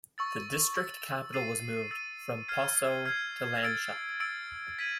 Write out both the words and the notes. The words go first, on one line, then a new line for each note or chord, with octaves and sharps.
The district capital was moved from Passau to Landshut.
C#6 E6 A6
C#6 E6 A6
E6 A6 C7 D#7
E6 A6 C7 D#7
F6 G#6 C7
F6 G#6 C7
E6 A6 D7
E6 A6 D7
G#6 B6 D#7 F#7